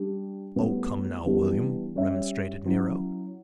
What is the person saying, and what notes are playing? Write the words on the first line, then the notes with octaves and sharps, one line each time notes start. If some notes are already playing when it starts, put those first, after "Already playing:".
"Oh, come now, William," remonstrated Nero.
Already playing: G3 D4 G4
A2 G3 B3 F#4
E3 G3 B3 D4 G4
G3 C#4 G4 C#5 E5
F#3 C#4 E4